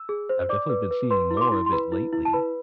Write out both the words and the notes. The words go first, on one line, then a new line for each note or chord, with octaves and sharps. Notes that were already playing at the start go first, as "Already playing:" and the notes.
I've definitely been seeing more of it lately.
Already playing: E6
G#4
C5
D5 D6
B4
B4
B4 C6
E4
D6
C6
E4
C6
B4 B5
E4
E4
A5
B4 B5